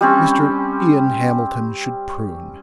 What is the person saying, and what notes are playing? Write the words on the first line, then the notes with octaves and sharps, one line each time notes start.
Mr. Ian Hamilton should prune.
G3 C4 C#4